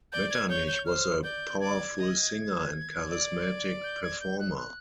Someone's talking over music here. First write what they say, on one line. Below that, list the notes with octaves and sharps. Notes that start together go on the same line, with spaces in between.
Metternich was a powerful singer and charismatic performer.
D5 G6
G#6
C#5 G6
G6
C5 F6
D5 G6
D5 G#6
D#5
D5
G6
G#6
G6
F#6
F#6